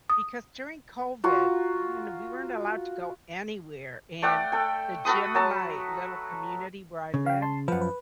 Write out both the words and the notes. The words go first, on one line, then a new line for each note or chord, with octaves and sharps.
because during COVID, you know, we weren't allowed to go anywhere, and the gym in my little community where I lived,
D#6
F4 F#4 A#5
A3 D5 F#5 G5
A4 G5
F#4 A4 B4 D#6
F#3 A5
C#3
F5 G5
A5 C6
F#2 F3 B4 F#5
B4